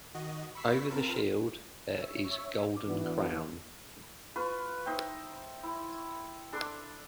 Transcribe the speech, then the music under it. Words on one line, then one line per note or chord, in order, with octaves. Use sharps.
Over the shield there is golden crown.
D#3 F#4 D#5
B5 C#6 E6 B6 C7
C4 F4 A#4 B4 A5
C#5 E5
E3 B3 D4 F#4
F4 B4 C#6
D#4 C5 E5 G5
E4
D4 A4 C6 D6